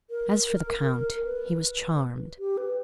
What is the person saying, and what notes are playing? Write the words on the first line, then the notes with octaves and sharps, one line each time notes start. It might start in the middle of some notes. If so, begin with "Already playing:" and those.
As for the Count, he was charmed.
A#4
A#4
B4
G4
B4